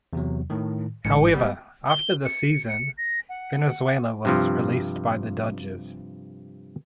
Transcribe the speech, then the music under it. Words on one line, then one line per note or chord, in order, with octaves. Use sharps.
However, after the season, Valenzuela was released by the Dodgers.
E2 C3 F#3
A2 D#3
A1 G#2 C#7
G3 B3
G7
C#7
C#7
A#6
F#5
G2 C3 F3